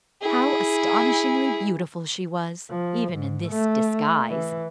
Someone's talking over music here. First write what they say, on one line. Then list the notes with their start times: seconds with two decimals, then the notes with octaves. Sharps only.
How astonishingly beautiful she was, even in this disguise!
0.21 E4 G#4
2.70 F3
3.13 G#2
3.49 A3
4.30 E3